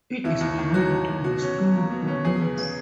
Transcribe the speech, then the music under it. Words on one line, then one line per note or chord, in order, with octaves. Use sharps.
It is bowled by swing bowlers.
D#2 E4
D#2
D#3
F#3 F#4
D#2
D#2
B2 F#4
C#4
F#3
A#3
B2
C#4
E2 G#4
B3
C#3